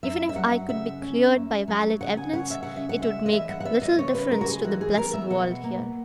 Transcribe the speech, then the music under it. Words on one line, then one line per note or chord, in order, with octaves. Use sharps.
Even if I could be cleared by valid evidence, it would make little difference to the blessed world here.
F#2 E5
E5
F#3 F#5
C#3 E5
C#4
F#2
F#3
C#3 F#5
G#5
C#4 F#5
E5
C#3 F#5
E5
F#5
G#3 E5
D#5
E3 E5
F#5
F#5
B3 E5
D#5
C#3 C#5
B4
G#3 A#4
F#4
G#4
E3 F#4
G#4
B3 A#4
E5
B2 F#5
A#3